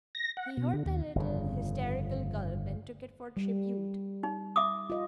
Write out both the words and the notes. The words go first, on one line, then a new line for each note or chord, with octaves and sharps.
He heard the little hysterical gulp and took it for tribute.
A#6
F#5
B2
D3
D#2
G1 F2 C#3
G3
D#4
E5 D6 D#6
F4 D#5